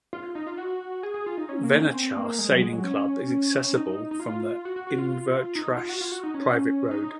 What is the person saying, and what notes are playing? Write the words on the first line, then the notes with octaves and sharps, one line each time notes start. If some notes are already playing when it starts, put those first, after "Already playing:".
Venachar sailing club is accessible from the Invertrossachs private road.
F4
D#4
F4
F#4
G#4
G#4
F4
D#4
C#4
A#3
C#4
C4
A#3
G#3
F#3
G#3
F#3
C#4
D#4
D#4
F4
F#4
F#4
F#4
F4
D#4
F4
F#4
F4
F#4
D#4
C#4
D#4